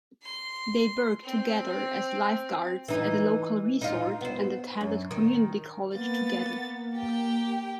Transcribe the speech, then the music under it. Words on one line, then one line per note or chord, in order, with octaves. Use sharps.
They worked together as lifeguards at a local resort and attended community college together.
C6
C4
E3 D#4
D#4 F4
B3 C5
F#2
D#3
A#3 B3 A6
G4 G5